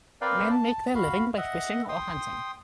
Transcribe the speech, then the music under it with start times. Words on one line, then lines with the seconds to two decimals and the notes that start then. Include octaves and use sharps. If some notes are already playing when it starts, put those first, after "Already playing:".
Men make their living by fishing or hunting.
0.21 C4 A#4 B4 D5 F5 G5
0.51 A5
0.95 F#4 F5 B5
1.37 D#5 E5 F#5
1.89 G5 C6 D#6